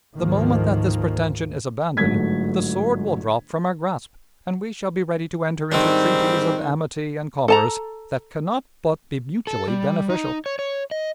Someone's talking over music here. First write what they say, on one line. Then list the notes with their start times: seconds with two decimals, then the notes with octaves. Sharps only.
The moment that this pretension is abandoned, the sword will drop from our grasp, and we shall be ready to enter into treaties of amity and commerce that can not but be mutually beneficial.
0.17 D2 G#2 D#3 F3 A#3
1.97 G1 G#2 F#3 A3 G#6 B6
5.72 G#2 D#3 G3 C4 D4
7.48 A4 A5 A#5
9.47 A4
9.68 G3
10.10 D#4
10.46 C#5
10.59 C#5
10.91 D#5